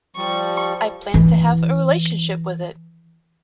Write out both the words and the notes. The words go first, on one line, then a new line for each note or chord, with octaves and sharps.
I plan to have a relationship with it.
F3 G3 C#6
E3 E4